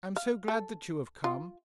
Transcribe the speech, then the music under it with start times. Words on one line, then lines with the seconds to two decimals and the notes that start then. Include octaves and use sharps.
'I am so glad that you have come.'
0.16 F5
0.48 A4
1.24 F4